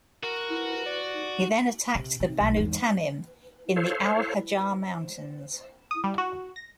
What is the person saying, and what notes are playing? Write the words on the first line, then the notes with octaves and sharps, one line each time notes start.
He then attacked the Banu Tamim in the Al Hajar Mountains.
F#4 A#4
D5
C3
C3
B1
E2 G#2
A4 C5 C#5 F5
D#6
G3
F#4
A#6